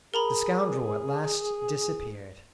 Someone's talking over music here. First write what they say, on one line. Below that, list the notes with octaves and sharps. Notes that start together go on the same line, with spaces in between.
The scoundrel at last disappeared.
G#4 A#4 A#5 B5